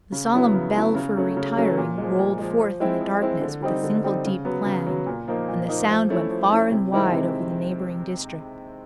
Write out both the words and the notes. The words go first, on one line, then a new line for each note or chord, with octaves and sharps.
The solemn bell for retiring rolled forth in the darkness with a single deep clang, and the sound went far and wide over the neighbouring district.
C#3
F#3 B3 E4
C#3
F#3 B3 E4
C#3
F#3 A3 C#4
C#3
F#3 A3 C#4
A#2
F3 G#3
A#2
F3 G#3
F3
G#3 C4 E4
F3
G#3 C4 E4
D3
G3 C4 D#4
D3
G3 C4 D#4
C#3
F#3 B3
C#3
F#3 B3
A#2
F3 A#3 D#4
A#2
F3 A#3 D#4
F3
A3 C#4 E4
F3
A3 C#4 E4
C3
D#3 G#3 C4 E4
C3